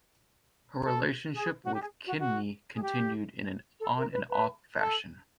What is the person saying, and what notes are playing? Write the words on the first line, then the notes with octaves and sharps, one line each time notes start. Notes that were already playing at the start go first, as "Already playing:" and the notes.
Her relationship with Kidney continued in an on-and-off fashion.
A4
G#4
F#4
G4
G#4
F#4
F#4
G#4
G4
A4
A#4
B4
B4
A4